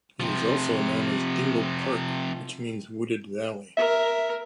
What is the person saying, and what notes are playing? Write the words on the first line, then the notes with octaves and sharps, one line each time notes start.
It is also known as Dingle Park which means wooded valley.
C3 F3
A#4 E5